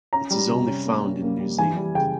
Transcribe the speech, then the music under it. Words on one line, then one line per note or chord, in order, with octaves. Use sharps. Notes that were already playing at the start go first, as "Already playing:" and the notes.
It is only found in New Zealand.
C#4 A#5
G3
C3
C#4
A#3
C#4
A#3
G3
E3 G#5
G3
C#3 G5